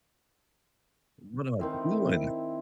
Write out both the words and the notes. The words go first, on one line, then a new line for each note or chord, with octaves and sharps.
"What am I doing?"
D#3 C4 E4